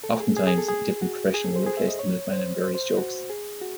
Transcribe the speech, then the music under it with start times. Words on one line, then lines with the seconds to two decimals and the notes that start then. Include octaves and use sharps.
Oftentimes, a different profession will replace the milkman in various jokes.
0.04 A4
0.20 G#4
0.37 G#4
0.47 G#4
0.58 A4
0.68 G#4
1.02 F#4
1.34 G#4
1.45 A4
1.56 C5
1.66 G#4
1.77 E5
1.89 D#5
1.99 C#5
2.32 C5
2.64 C5
2.75 C5
2.97 F#4
3.30 G#4
3.62 F#4